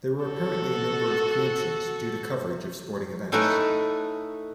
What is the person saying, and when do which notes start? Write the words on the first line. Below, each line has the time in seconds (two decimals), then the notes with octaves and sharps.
There were apparently a number of preemptions, due to coverage of sporting events.
0.23 F#4 A4
3.32 A2 A3 D#4 B4 G#5 A#5